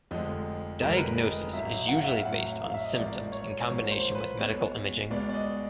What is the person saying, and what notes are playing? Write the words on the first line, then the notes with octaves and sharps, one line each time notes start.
Diagnosis is usually based on symptoms in combination with medical imaging.
F1 F2 D3 F3 G#3 D#5
F1 F2 D3 F3 G#3 A#4
B4
A#4
D#5
A1 A2 F#3 E5
F#5
F5
E5
F5
A1 A2 F#3 F#5
F5
E5
D#5
A1 G#2 F3 A#3 D5
C#5
A1 G#2 F3 A#3 C#5
C5
B4
C#2 B2 G#3 B3 C#5
C#2 B2 G#3 B3 D5
D5
D#5